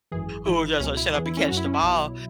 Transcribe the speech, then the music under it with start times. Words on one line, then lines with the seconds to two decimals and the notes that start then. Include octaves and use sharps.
who are just, like, "Shut up and catch the ball,"
0.12 G#1 F#2 E3 G#4
0.46 G#1 G#2 E3 E4
0.80 C#2 B2 F#3 C#4
0.97 E4
1.14 E2 E3 G#4
1.26 E4
1.37 C#4
1.48 F#3 F#4
1.52 F#2 E4
1.66 C#4
1.74 E4
1.82 B1 B2 F#3